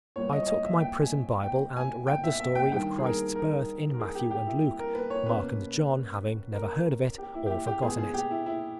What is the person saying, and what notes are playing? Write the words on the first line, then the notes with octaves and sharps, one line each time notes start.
I took my prison Bible and read the story of Christ's birth in Matthew and Luke, Mark and John having never heard of it or forgotten it.
A#2 G3 B3 C#5
D#5
C#5
D#5
E5
G5
G#5
G5
G#5
G5
E5
E5
G5
G2 D#3 G3 G5
G#4
A#4
A#4
A#4
G#4
G4
G4
E4
E4
A#4
B4
C#5
B2 A#3 C#4 B4
A#4
G4
E4
G4
E4
G4
B2 G#3 B3 G#4
G#4
G4
E4
E4